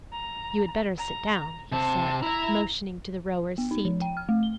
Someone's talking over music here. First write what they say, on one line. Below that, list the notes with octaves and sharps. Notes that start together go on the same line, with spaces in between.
"You had better sit down," he said, motioning to the rower's seat.
A#5
A#5
C3 C4 A5
E4 E5 A#5
B3
D#4
F3
G5
F6
A3
G7